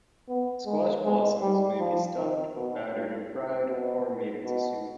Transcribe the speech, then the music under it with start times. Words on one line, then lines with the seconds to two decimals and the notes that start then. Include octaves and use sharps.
Squash blossoms may be stuffed, battered and fried, or made into soup.
0.28 B3
0.66 G#3
1.04 G#3
1.41 G3
1.79 F3
2.16 D#3
2.55 B2
2.93 G2
3.69 B2
4.44 B2